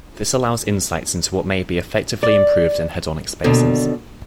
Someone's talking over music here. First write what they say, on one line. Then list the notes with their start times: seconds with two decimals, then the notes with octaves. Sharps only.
This allows 'insights into what may be effectively improved in hedonic spaces.
2.23 D5
3.44 D#2 B2 D3